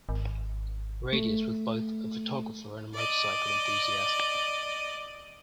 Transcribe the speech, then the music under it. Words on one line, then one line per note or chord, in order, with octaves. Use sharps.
Radius was both a photographer and a motorcycle enthusiast.
G#1
A3
D5 D#5